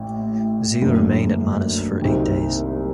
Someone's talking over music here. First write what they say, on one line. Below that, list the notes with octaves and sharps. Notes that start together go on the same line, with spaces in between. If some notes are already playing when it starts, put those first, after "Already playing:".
Zeal remained at Manus for eight days.
Already playing: A1 A2
F#1 F#2 D3 A3
C2 C3 D#3 F#3